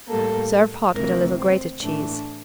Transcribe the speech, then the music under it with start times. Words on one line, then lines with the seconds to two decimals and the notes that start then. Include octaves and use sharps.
Serve hot with a little grated cheese.
0.09 A2 G3 A#3 A4
0.95 D2 C3 E3 A#3 A#4
1.38 C4
1.82 A2 E3 A3 D4